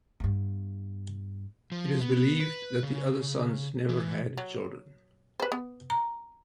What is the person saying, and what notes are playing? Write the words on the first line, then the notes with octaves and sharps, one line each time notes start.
It is believed that the other sons never had children.
G2 B3
F3
B3
B4
C#3
E3
F#3
B4 C5
B3
A#5